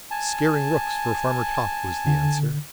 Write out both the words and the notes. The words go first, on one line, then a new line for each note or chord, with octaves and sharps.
'Scaring rooks for Farmer Topp,' was the answer.
G#5 A5
D3